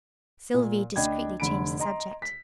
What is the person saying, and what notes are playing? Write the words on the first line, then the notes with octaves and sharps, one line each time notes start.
Sylvie discreetly changed the subject.
A#2
D2 D4 D#5 G5 B5 G#6
F1 D3 B5 D7
D#5 A#5 C6
B6